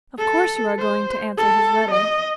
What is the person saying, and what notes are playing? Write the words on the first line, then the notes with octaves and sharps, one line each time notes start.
Of course you are going to answer his letter.
A4
C5
A4
D#5